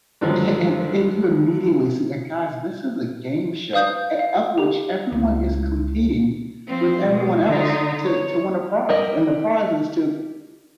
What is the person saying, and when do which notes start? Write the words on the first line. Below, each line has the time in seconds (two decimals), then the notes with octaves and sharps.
e he a a and you immediately see that, "Guys, this is a game show, eh, of which everyone is competing with everyone else to to win a prize, and the prize is to
0.21 G2 D3 D#3 F3 F#3 G#3
3.73 B4 F5 D#6 G6
4.19 F5
4.58 G4
5.12 C#2 E4
6.67 F3 C4
7.07 B2 G#3
7.45 D3 D#4
8.05 C#5
8.89 G3 A#4 D#5